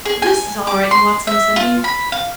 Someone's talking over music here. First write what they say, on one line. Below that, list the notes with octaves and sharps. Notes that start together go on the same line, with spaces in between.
"This is all right, Watson," said he.
G#4
G#5
D6
C6
E5
F4
B5
F5